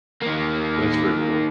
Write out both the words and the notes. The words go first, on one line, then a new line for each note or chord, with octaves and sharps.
that's very cool.
D#3 A#3